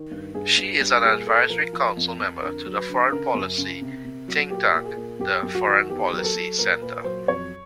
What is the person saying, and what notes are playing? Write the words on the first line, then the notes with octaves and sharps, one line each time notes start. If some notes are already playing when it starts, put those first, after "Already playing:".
She is an advisory council member of the foreign-policy think-tank, the Foreign Policy Centre.
Already playing: D#3
G2
G2 G#4
G2
G3
A#2 G#4
A#2 A4
F3 A#4
F3
F2
F2
D3 A#4
F#3
B4
D3
C#3 A#4
F#2
C#3
C3
C3
F#3
A#2 G4
A#2
G#4
A#2
F#2 G4
F#2
F#4
D#3
E2 G4
F#3
A#4
A4
F#3
A#2 A#4
A#2 B4
F#3 C5
F2 C#5